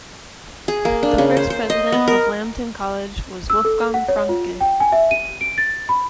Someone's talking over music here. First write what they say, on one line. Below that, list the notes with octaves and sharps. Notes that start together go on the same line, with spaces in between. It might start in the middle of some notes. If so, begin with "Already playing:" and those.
The first president of Lambton College was Wolfgang Franke.
G#4
A#3
D4
C#3
C5
C5
D#5
B3
A#4
E6
A4
F#5
C#5
F4
G5
G#5
E5
D#7
D7
A6
B5